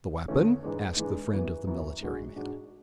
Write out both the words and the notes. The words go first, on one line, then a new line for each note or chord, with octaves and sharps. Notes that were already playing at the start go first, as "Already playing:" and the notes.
"The weapon?" asked the friend of the military man.
E2 D3 A3 C#4
G#2 E3 G#3 D4
G#2 E3 G#3 D4
F#2 E3 B3
F#2 E3 B3
G#2 G#3 D4 F#4
G#2 G#3 D4 F#4